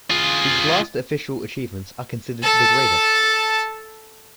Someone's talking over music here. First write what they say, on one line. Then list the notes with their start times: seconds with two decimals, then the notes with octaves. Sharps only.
His last official achievements are considered the greatest.
0.10 F4 G#4
2.43 A4 A5